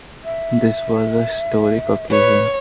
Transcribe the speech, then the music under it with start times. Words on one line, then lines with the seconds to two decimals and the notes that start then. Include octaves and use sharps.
This was a historic occasion.
0.24 E5
2.10 B4 C#5